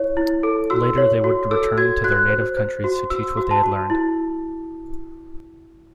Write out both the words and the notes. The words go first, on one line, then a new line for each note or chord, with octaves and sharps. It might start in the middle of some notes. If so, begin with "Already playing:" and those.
Later they would return to their native countries to teach what they had learned.
Already playing: E4 C#5
E4
A4
F#4 E6
C#5
F#4
A4 E6
F#4 G#6
F#4 F#6
C5
C5
F#4
F#4 E6
F#4
A5
F#4
E4